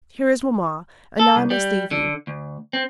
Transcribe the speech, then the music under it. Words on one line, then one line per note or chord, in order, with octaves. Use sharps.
Here is mamma, and now I must leave you.
A4
C2
G3
D3
D2
C4